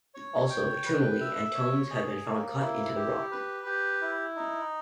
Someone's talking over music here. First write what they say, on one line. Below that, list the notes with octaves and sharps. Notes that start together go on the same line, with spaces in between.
Also, "tumuli" and tombs have been found cut into the rock.
C#5
G5
B4
E5
C#5
G#4
A#3
E4
G4
B4
G4
E4
D#4